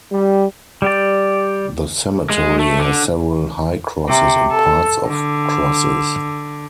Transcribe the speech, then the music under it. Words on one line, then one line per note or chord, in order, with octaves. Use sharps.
The cemetery has several high crosses and parts of crosses.
G3
G3 G4 D5
G#3
A3
D3
C3
A4
D3